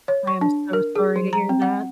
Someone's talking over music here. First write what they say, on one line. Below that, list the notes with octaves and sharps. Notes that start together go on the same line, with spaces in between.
I am so sorry to hear that.
C#5
C#6
D4
A#4
G#4
F#3
A#5
C4
F#5